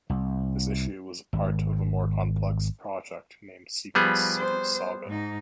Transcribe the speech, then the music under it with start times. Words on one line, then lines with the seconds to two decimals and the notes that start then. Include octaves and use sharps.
This issue was a part of a more complex project named Secret City Saga.
0.10 C2
1.33 G#1
3.95 F3 G3 B3 G#4
4.38 C5
5.07 G#2 D#4